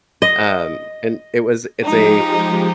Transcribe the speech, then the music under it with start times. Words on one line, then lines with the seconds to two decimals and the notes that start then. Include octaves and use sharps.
Um, and it was it's a
0.22 D#5
1.85 F3 G#3 D#4 G4